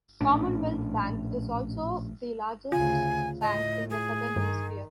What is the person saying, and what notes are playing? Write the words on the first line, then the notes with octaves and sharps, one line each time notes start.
Commonwealth Bank is also the largest bank in the Southern Hemisphere.
A#1 A2 C#4 D4
D2 C#3 F4 G#5
A2 D#5
G#4
G2 D#3